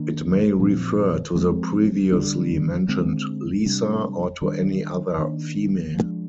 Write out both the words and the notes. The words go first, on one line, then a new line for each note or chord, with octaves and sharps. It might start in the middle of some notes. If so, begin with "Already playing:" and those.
It may refer to the previously mentioned "Lisa" or to any other female.
Already playing: D#3 A#3 D4
A#2 F3 C4
F3 G#3 C4
D3 G3 A#3 D4
D3 G#3 C4
C3 G3 D4
D#3 G3 D4
D#3 A#3 D4
F3 G#3 D4